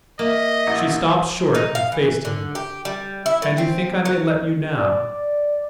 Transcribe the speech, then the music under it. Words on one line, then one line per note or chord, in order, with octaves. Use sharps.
She stopped short and faced him "And you think I may let you now?"
A#3 D#5 E5
A1
D#4
F5
E3
D3
G4
G3
E4
A2
C4
F#3
D5